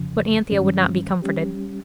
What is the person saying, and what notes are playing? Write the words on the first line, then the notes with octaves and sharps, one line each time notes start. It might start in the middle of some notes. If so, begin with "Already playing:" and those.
But Anthea would not be comforted.
Already playing: F2 C#3 F3
G2 D#3 G3 C#4
G3 C#4 G4